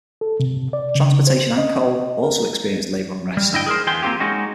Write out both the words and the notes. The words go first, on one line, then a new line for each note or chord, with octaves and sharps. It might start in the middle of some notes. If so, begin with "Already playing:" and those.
Transportation and coal also experienced labor unrest.
A4
C3
D5
C#3
C5
D#5
A#4
G3
D2 G2 E4 D#5 G5
G#4 A#4 C5
E2 B3 G#4 G5 C6
A#3 C4 C#4 F4 G4
G#3 C#4 D#4 F#4